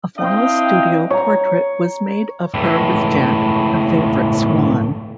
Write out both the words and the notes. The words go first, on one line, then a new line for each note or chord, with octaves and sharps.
A formal studio portrait was made of her with Jack, her favorite swan.
C4 D4 E4 D#5 F5 G5
C#5 A#5
C#2 A2